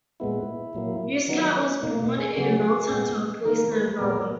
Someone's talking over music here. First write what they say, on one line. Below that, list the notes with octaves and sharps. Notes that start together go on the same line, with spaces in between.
Muscat was born in Malta to a policeman father.
A#2 G#3 B3 E4
A#2 F#3 A#3
D#3 F#3 B3 D#4
C#4
B2 A#3 D#4
G#4
C#3 F#3 B3 G#4
A#2 G#3 B3
D#3 A#3 A#4
B4
A#2 G#3 B3 A#4